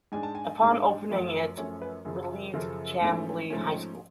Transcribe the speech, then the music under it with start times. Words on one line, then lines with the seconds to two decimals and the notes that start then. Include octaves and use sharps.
Upon opening it relieved Chambly High School.
0.12 G#2 G#3 D4 G#5
0.23 A5
0.35 G#5
0.61 G#2 G#3 D4
1.09 F#2 F3 A3 C#4
1.57 F#2 F3 A3 C#4 C#5
1.82 B4
2.05 F#2 C#3 F3 G#4
2.53 F#2 C#3 F3 A4
3.01 G#2 F3 A3 C#4
3.50 G#2 F3 A3 C#4